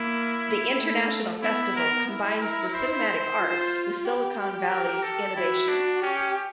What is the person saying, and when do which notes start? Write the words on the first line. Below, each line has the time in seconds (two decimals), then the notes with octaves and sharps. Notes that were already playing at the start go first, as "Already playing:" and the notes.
The international festival combines the cinematic arts with Silicon Valley's innovation.
Already playing: A#3 E4
0.78 A3
1.42 B3 E4
1.76 A#4
2.08 E4
2.41 A#4
2.74 C5
3.39 F4
4.05 G4
4.70 A#4
5.03 A4
5.36 E4 F#4
5.69 D4
6.02 C#4 G4